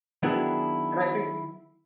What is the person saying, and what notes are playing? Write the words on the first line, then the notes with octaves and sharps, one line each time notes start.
And I think
D#3 F#3 B3 D4 E4 G#4